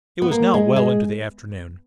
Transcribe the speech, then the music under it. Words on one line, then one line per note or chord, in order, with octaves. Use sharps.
It was now well into the afternoon.
B3
A#3
G#3
G#3